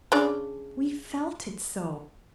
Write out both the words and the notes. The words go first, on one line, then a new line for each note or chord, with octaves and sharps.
We felt it so!
C#3 D4 D5